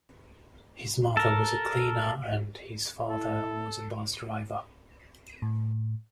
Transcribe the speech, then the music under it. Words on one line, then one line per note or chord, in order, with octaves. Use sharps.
His mother was a cleaner and his father was a bus driver.
A4 A#4
E4 A4
A2